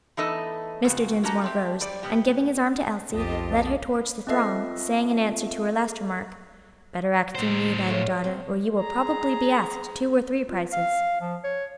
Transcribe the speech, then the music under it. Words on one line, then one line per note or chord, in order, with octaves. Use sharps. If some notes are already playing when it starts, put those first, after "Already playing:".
Mr. Dinsmore rose, and giving his arm to Elsie, led her towards the throng, saying in answer to her last remark, "Better act through me, then, daughter, or you will probably be asked two or three prices."
E3 A3 B3 D#4 A4 D#5
F2 C#3 F#4
C#4 F#4 G4 D#5 A5 A#5
A3 C4 G4
G3 D5
B2 B3 G4
B1 F2 F4 G4 D#5 A5
B4
F3 A3 C4 D#5 E5 C7
A2 C5
F#3 A3 F4
C4
G#4 A#5
F4
F5
F3
C#5